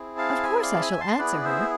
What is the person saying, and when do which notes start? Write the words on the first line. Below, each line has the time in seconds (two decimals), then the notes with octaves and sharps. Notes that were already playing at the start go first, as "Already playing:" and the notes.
"Of course I shall answer her."
Already playing: C4 E4 G#4
0.18 F5 A5
0.43 E5 G#5
0.62 D5 F5
0.74 A5
0.81 E5 G#5
1.01 A5 C6
1.18 B3 E4 G#4 B4 D5
1.45 C5 E5